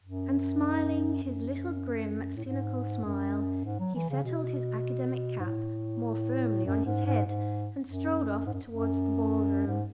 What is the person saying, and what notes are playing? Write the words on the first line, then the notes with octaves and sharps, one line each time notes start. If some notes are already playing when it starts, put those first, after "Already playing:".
And smiling his little grim, cynical smile, he settled his academic cap more firmly on his head and strolled off towards the ballroom.
F#2
F#2
A2
G#2
F#2
G#2
F#3
E3
C#3
B2
G#2
A2
F#2
G#2
G#2
G#2
F#2
G#2
F#2
F#2
G#2